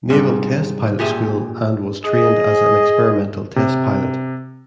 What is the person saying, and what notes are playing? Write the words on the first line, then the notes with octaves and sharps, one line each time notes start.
Naval Test Pilot School and was trained as an experimental test pilot.
G#2 C3 G3
A#2 G4 G#4 E5
G#4 D#5
C3